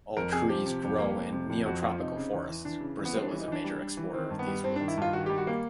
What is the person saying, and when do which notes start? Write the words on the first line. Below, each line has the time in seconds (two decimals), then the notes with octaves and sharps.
All trees grow in neotropical forests; Brazil is a major exporter of these woods.
0.17 F2 A#4
0.32 C3 G#4
0.49 F3 G4
0.66 C3
0.83 F2
0.99 A#3
1.16 F2
1.33 C3
1.49 F2
1.66 F2 F#4
1.82 F3 F4
1.98 C3 D#4
2.16 C#3
2.32 E2
2.48 E3
2.65 E3 D4
2.81 C#3
2.99 E3
3.05 B3
3.14 G3 C4
3.22 D4
3.28 E3 C#4
3.40 D#4
3.48 E3 D4
3.64 G3
3.80 G3
3.97 E3
4.14 D#3 C4
4.31 G2
4.39 B3
4.47 G3
4.64 G2 C4
4.76 D4
4.81 D#3
4.88 E4
4.97 G2 F4
5.13 D#3 F#4
5.26 G3 G4
5.38 F#4
5.47 A#3